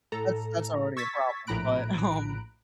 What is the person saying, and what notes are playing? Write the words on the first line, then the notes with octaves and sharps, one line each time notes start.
that's that's already a problem, but, um
A2 A4 A#5
C#6 E6 G#6 A6 B6
A#1 A2 A#5 B5 F#6 D7